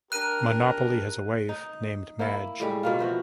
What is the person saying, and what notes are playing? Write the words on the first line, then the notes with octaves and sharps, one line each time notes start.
Monopoly has a wife named Madge.
D4 G4 A#4 F#6 D#7
D#4
A#3 E4
A2 G3 G#3
B2 A#3 F4
E3 F3 F#4